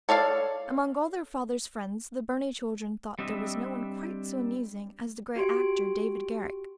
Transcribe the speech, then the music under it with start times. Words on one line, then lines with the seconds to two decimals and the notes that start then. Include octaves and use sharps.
Among all their father's friends the Burney children thought there was no one quite so amusing as the great actor David Garrick.
0.09 A4 C#5 D5 F5
3.19 G3 C4 D4 D#5 E5
5.36 F#4 G4 C6 D7